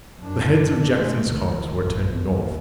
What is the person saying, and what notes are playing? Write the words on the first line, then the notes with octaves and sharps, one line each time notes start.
The heads of Jackson's columns were turned north.
F#2 D4
G#3 A3
C#2 D#3
A#1 G2
A1 D#2